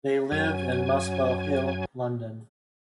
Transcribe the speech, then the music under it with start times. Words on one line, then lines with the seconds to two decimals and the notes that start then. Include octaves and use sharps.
They live in Muswell Hill, London.
0.32 F#2 F#3 G#5